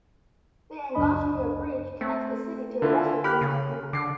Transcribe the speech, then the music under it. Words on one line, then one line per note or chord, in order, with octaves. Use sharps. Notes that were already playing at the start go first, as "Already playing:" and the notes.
The Angostura Bridge connects the city to the rest of Venezuela.
C#2 F#2 D4 D#5 B5
A3 C4
D3 E4 F4
G4 B5 F6 F#6
C#3
D3 D6 C7